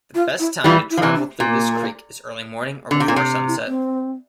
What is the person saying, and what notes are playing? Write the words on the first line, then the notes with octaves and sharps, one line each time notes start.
The best time to travel through this creek is early morning or before sunset.
F4
E4
E3 G3 F4
E4
F3
C3 E3
D4
A#2 A#3
D3 C4
C3
A#2 C4
C3
E4
C4